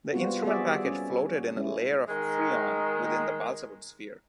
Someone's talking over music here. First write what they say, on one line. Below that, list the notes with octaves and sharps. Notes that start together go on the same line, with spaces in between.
The instrument package floated in a layer of freon within the balsawood sphere.
G3 B3 C4 F4 F#4
G3 B3 F#4 G#4 D5 E5
C#4
G#3 C#4 E4
D#3 G#3